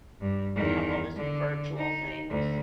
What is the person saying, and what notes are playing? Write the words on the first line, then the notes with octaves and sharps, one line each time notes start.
have all this virtual things.
G2
E2 D#3
D3
D#4
D2